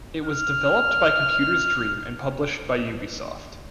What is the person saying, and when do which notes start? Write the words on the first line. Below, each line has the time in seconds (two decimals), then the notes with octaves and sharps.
It was developed by Computer's Dream and published by Ubisoft.
0.25 F6